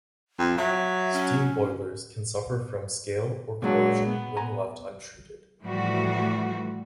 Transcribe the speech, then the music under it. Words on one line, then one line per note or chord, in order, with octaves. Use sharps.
Steam boilers can suffer from scale or corrosion when left untreated.
F2
F#3 E5
C#4
A#2 F#3 G#3 D4
B3
G#5 A#5
A2 E3 F3 G3 A3 F#4